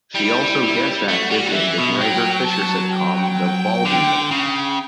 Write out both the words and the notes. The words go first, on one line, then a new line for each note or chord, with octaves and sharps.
She also guest-acted in the Gregor Fisher sitcom The "Baldy Man".
G3 E4
E4
A3 F#4
G3
F#3
E3 E5
B2
F#3 G5
A5
G5
D3
C#3